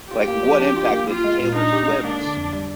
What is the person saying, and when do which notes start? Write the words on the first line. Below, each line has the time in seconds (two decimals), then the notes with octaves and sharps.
Like, what impact did Taylor Swift's,
0.11 F4 G4
0.28 A#3
0.43 F3
0.60 D4
0.76 F4
0.91 A#3
1.07 F4 G4
1.24 G#3
1.40 A#2
1.55 D4 D#4
1.73 G4
1.88 G#3
2.04 A#3 D4
2.21 D3
2.37 F2
2.53 G3